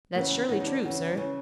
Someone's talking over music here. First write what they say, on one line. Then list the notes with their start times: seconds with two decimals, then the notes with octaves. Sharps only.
"That's surely true, sir."
0.15 E2 C#3 E3 A#3
0.32 C4
0.49 E2 C#3 E3 D#4
0.60 D#4
0.66 D4
0.83 E2 C#3 E3
1.12 D4
1.17 C#3 E3 C#4